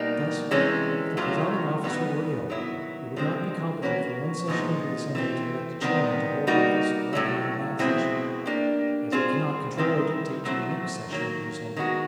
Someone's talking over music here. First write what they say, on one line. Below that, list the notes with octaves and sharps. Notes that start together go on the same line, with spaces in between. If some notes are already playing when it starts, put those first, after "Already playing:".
Thus, if the presiding officer were ill, it would not be competent for one session of the assembly to elect a chairman to hold office longer than that session, as it cannot control or dictate to the next session of the assembly.
Already playing: B2 G3 A#3 D#4
C3 E3 G#3 C#4
A2 F#3 A3 C#4 F4
E3 G3 B3 D#4
D#3 F#3 B3 E4
D3 F3 G#3 C4
A#3 C#4 F#4 B4
A#2 F3 G#3 B3 D#4
E3 A3 C4
C3 D#3 G3 B3
G3 A#3 D#4 F#4
A2 F#3 A3
B2 G#3 C4 E4
A#3 D4 G4
G3 C4 F4 G#4 C5
D#3 G3 C4 E4
A#2 F#3 A3 C4 E4
D#3 F#3 A#3
D#3 G#3 B3 D#4 F#4